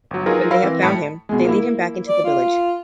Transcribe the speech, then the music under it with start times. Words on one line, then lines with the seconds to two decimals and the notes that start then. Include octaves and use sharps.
When they have found him, they lead him back into the village.
0.11 G1 F#3
0.26 F#3 D#4 F4 G#4 A#4 B4
0.51 A#4 C5 F5 B5 E6 A#6
0.63 E3 C4
0.82 A2 A5 B5 B6 C#7
1.29 B2 G#3
1.45 A#3 E4
2.08 D5
2.25 F4